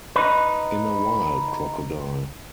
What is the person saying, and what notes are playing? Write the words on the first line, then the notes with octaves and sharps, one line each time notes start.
In a while, crocodile.
D#4 B4